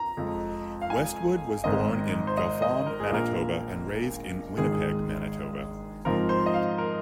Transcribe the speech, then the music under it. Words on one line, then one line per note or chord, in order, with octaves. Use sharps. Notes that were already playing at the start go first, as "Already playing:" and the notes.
Westwood was born in Dauphin, Manitoba and raised in Winnipeg, Manitoba.
Already playing: A#5
F2 F3 G#3
F5
G#5
G#1 G#2 D#3 C4 D#5
C5
D#5
D#5
A#4
G#4
A#1 A#2 A#3 A#4
G#1 G#2 D#3 G#4
G#4
G#2 F3 C4 A#4
C5
D#5
F5
A#4